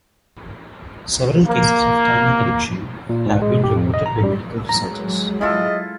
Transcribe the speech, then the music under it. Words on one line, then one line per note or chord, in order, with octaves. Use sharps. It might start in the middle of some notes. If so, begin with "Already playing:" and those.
Several cases of tanning addiction have been reported by medical researchers.
A#3
A#2
G#2
G#3
G4
F2
D#5
A#5
G3
F#3 G#3 A#5
E4 F4 G#4 A4 D#5